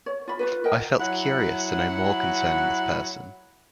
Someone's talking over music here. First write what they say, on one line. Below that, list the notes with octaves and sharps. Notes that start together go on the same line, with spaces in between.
I felt curious to know more concerning this person.
C#5
F4 B5
F4 F#4 B4
A#4 D#5 G5
F#3 E4 F#5